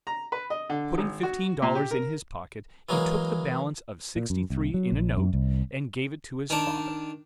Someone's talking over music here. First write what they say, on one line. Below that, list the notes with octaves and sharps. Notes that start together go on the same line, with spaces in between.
Putting fifteen dollars in his pocket, he took the balance of sixty-three in a note, and gave it to his father.
A#5
B4
D#5
D3
G#1
F#4
A#2
G4
A#4
E3 F#3 G#3 A#3
A#2
F#2
C2
F#3
A#1
F#2
C2
D#3 D4